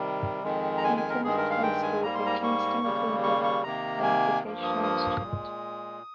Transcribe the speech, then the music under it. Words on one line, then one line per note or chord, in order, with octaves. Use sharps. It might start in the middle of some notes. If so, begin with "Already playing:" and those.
He attended high school at Kingston Collegiate and Vocational Institute.
Already playing: C3 D#3 G3
F2 D#3 G#3
A#5
G#5
G#5
A#4
G2 D#3 G#3 G#4
A#4
F5
G5
G#5
G#2 G3 A#3 A#5
C6
A#5
C#6
D#2 C#3 G3 A#3
C#6
C#6
C3 D#3 A#3 A#5
G#5
G2 F3 A#3
D#6
D#6
A#2 G#3